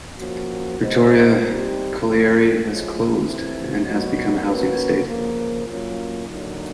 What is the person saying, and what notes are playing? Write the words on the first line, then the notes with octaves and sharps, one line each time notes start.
Victoria Colliery has closed and has become a housing estate.
F3 A#3 C#4 F#4
B3 D#4 G4 C5 D#5
G3 C4 D#4 G4 C5
F3 G#3 C4 F4 A4
A2 F3 G#3 C#4 F4
C3 E3 A3 C4 E4
A#2 F#3 B3 D#4 F#4
A#3 C#4 F#4 B4
C#3 F3 A#3
F#3 A#3 C#4 F4
D3 F#3 A#3 D#4